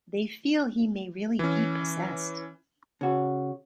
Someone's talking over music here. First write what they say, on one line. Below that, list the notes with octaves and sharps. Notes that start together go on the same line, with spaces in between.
They feel he may really be 'possessed'.
E3 C#4
C#3 F#4